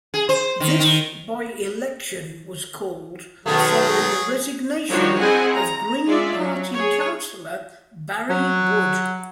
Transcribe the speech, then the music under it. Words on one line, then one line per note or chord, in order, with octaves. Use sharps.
This by-election was called following the resignation of Green Party councillor Barrie Wood.
G#4
C5
D#3
D#3
B2 D#3 F#3 A3 G#4
D#3 F3 G3 D4 F#4 C#5
C4 E4 G#4 D#5 F#5 G#5
A#5
G#3 F4 D5 E5
F#3
G#4 C#5
F#3